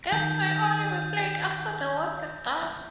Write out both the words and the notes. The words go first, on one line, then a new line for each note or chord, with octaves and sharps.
Games may only be played after the work is done.
D#3 G6